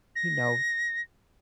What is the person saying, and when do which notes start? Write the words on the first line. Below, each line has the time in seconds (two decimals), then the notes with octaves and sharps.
you know,
0.16 A#6